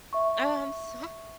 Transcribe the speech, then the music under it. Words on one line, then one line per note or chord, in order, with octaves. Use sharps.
Oh, I'm so
E5 C#6